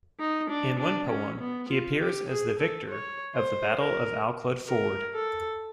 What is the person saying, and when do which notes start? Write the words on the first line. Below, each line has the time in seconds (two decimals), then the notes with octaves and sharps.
In one poem, he appears as the victor of the Battle of Alclud Ford.
0.20 D#4
0.50 D4
0.79 D4
1.09 C#4
1.40 B3
1.70 F4
1.99 G4
2.29 G#4
2.60 A4
2.89 C#5
3.35 C5
3.79 A#4
4.69 A#4
5.14 A4